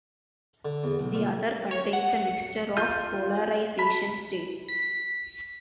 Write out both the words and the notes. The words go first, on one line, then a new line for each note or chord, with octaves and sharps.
The other contains a mixture of polarization states.
D3
E2
B1
A#2
C#5
F#5
C#7
F4 G6
B5
B6